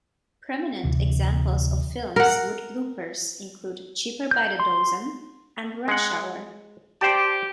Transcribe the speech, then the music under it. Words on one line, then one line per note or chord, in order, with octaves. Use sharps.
Prominent examples of films with bloopers include "Cheaper By the Dozen" and "Rush Hour".
D2 C3 E3
A#4 F#5
G6
C6
G#3 F#5
G4 C5 D5 A5